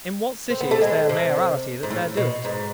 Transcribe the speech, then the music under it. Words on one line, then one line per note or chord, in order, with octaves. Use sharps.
In what city is there a mayoralty that dare do it?
C4
B3
A3
G#3
C3
G#2
A2
B2
G#2